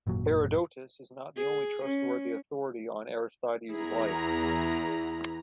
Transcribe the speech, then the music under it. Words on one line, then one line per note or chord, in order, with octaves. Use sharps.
Herodotus is not the only trustworthy authority on Aristides' life.
G#1 F#2 A#2 F#3
G#4
C#4
E2 E4 G#4 A#5